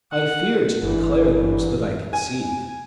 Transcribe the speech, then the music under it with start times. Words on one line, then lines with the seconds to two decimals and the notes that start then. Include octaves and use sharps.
I fear to declare those that I conceive.
0.12 F#5
0.83 G1 E3
2.13 G#5